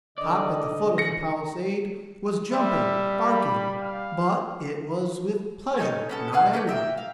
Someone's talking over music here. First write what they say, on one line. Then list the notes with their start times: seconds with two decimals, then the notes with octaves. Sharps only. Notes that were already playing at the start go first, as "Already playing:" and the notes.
Top, at the foot of the palisade, was jumping, barking, but it was with pleasure, not anger.
0.18 D3 D5 D#5
0.98 E3 G#4 A#6 C#7
2.53 G3 E5
3.21 B5
3.81 F5
5.78 D#4 A4 C#5 G#5
6.09 B3 C#4 A4
6.33 B4 C#5 F5 F#5
6.53 C#4 B4 D5 G6
6.67 A#4 E5 G5
6.97 F5